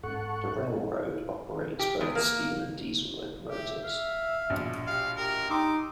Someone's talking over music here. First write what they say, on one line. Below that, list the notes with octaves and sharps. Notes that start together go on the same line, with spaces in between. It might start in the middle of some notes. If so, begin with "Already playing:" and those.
The railroad operates both steam and diesel locomotives.
G#2 A4 F#5 C#6
G4
E2
A#3
G4 E5
F5
A#1 B2
G4 F5
G4 A#4
D#4 G5 C6 D6 E6